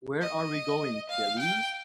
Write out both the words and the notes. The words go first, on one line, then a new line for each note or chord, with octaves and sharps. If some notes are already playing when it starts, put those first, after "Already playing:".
Where are we going Belize?
D#5
F5
G5